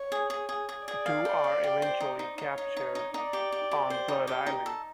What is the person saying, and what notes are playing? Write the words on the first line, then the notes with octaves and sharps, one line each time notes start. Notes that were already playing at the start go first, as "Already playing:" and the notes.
The two are eventually captured on Blood Island.
Already playing: C#5
G#4
G#4
G#4
G#4
G#4 D5
F5
C5
F5
G4
C5
D#4
D#4
D#4 C#5
D#4
D#4
D#4
D#4 D5
G4
G4
G4
C5
D#4
G4
D#4
A4